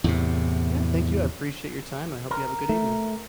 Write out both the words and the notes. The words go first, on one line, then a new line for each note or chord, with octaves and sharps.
Yeah, thank you. I appreciate your time, and I hope you have a good evening.
E2 A2 C3
A#4
A3